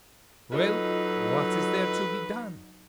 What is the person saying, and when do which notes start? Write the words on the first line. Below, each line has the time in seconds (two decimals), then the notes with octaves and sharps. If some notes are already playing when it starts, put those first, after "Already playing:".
'Well, what is there to be done?
0.52 F#3 D#4 F4 A4 B4 D#5